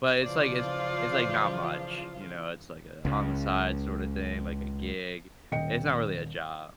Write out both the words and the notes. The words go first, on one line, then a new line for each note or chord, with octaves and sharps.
but it's, like it's it's, like, not much, you know? It's like a on-the-side sorta thing, like a gig. It's not really a job,
C#3 E3 F3 F4 C5 D5
C#2 C#3
D#1 D#5 G5 C#7